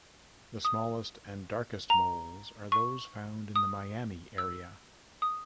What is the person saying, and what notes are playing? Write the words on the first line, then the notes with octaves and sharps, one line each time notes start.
The smallest and darkest moles are those found in the Miami area.
D#6
A#5
C#6
D#6
E6
D#6